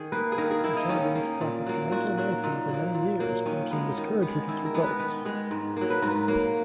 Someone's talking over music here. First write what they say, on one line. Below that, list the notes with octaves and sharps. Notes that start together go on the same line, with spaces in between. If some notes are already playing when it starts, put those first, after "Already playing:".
Jennings practiced conventional medicine for many years but became discouraged with its results.
Already playing: D#3 G#4
A#3 B4
G#4
D#3 A#4
G#4
A#3 E4
D#4
D#3 C#4
A#3
A#2
F#3 A#3
A#2 F#4
F#3 A#3 F#4
A#2 D#4
F#3
A#3
A#2
F#3 A#3
D#3 C#4
G#3 B3 D#4
D#3
G#3 B3
D#3 E4
A#4
G#3 B3
B4
D#3 B4
G#3 B3
G#2
F#3 A#3
B4
G#2 A#4
F#3 A#3